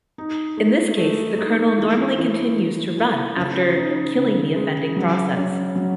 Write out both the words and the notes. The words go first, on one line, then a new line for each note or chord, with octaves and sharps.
In this case, the kernel normally continues to run after killing the offending process.
D#4
A3
A3
D#4
E3
E3
E3
E3
C#3
D#4
C#3
G#3
F#3
C#4
F#3